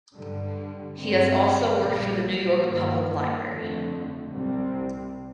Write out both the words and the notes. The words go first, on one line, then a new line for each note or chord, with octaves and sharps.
He has also worked for the New York Public Library.
G2 D3 G3
G2 D3 G3 C4
A#1 A#2 G3 A#3
G2 D#3 A#3
F2 D3 A3
C2 C3 G3 C4